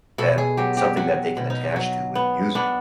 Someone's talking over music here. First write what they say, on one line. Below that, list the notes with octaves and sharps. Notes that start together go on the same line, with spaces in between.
that something that they can attach to with music,
B2 A4
G#4
F#3 G4
G4
F#3 F#4
B2
D#4
F#3
B3
B3 D4